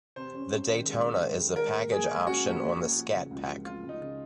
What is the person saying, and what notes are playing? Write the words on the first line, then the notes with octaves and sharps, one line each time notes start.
The Daytona is a package option on the Scat Pack.
C3 C5
C#4
C3
D#3
G#3
C3
G#3
D#3
G#3 A#4
A#2
A#2 G#4
G#3
C#4 F#4
A#2
A#2
A#2
F3
C#3
C#2
F3
C4 F4
C#2
D#4
C#3